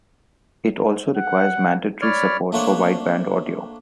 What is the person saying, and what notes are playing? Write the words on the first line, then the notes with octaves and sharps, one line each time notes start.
It also requires mandatory support for wideband audio.
F#5
C#5 D5 B5 F6
A3 A#3 D4 C5 C#5 F#5